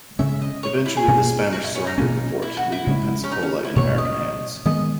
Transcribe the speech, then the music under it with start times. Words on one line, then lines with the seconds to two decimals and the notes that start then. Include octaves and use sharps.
Eventually the Spanish surrendered the fort, leaving Pensacola in American hands.
0.19 C#3 G#3 C#4 E5
0.42 D#5
0.63 C#5
0.86 E4
0.97 G#4
1.08 B2 A#3 C#4
1.52 F#4
1.64 E4
1.75 C#4
1.87 D#4
1.98 B2 A#3 C#4
2.42 E4
2.57 F#4
2.72 E4
2.87 C#3 G#3 C#4
3.24 C#4
3.32 D#4
3.43 C#4
3.65 E4
3.76 B2 A#3 C#4 C#5
3.98 D#5
4.65 D#3 G#3 B3 D#5